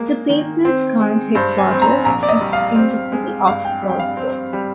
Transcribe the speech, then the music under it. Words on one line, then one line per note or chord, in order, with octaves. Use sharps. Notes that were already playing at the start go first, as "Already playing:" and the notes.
The paper's current headquarters is in the city of Gulfport.
Already playing: G#3 A#3
D#3
C4
G#3
G2 C5
G#5
C4
A#5
A#1 A#5
D5
D#5
G3
F5
C4
G#3
G2 F5
G5
G3
G5
F5
C4
G3